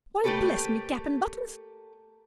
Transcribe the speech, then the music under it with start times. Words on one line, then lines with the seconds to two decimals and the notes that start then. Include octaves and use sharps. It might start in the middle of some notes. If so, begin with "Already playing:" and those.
Why, bless me cap and buttons!
0.24 A3 A#3 G4 A4 B4 C#5